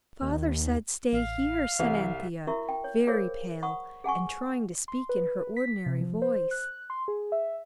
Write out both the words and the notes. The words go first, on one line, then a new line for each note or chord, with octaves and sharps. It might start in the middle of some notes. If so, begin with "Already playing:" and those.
'Father said stay here,' said Anthea, very pale, and trying to speak in her ordinary voice.
D#2
A1 F5
C2 E3
E4 F#4 A#4 E5 C#6
G5
C#5
F4 G#4 A#4 C5 C#5 F5
F#5 B5 C#6 D#6
G#4 F#5 G#5 C#6
C6
B4
B4
B6
C3
F3
C5
F#6
C6
G#4
E5